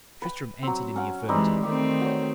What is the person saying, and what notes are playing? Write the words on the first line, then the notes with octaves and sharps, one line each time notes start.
Tristram answered in the affirmative.
B4 G5
F#3 C4
C#4 F#5
E3 G3 G#3 C4 D#4
D#3 A3 C4 G4
F#4 C#5